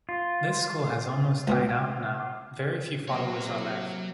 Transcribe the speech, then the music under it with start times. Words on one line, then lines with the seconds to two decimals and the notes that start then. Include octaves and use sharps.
This school has almost died out now; very few followers are left.
0.09 F4
1.47 C#2 B2 B3
3.08 C3 F#3 A#3 C#5